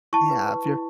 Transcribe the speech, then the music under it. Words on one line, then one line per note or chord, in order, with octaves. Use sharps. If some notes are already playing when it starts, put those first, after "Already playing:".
Yeah, if you're
E4 A5 C#6
B4
B4
E4